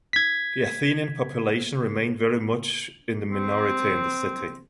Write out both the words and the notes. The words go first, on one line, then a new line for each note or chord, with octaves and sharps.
The Athenian population remained very much in the minority in the city.
G#6 B6
C4